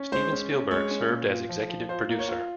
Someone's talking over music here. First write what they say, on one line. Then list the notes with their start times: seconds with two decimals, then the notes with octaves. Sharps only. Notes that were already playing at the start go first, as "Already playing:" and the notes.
Steven Spielberg served as executive producer.
Already playing: C#4
0.12 G#3 C5
0.32 C#4
0.51 C#4
0.71 G#3 C#5
0.91 C#4
1.10 A#2
1.30 F4
1.49 F3
1.69 F3
1.89 F4 C5
2.09 A#3
2.19 C#5
2.28 F4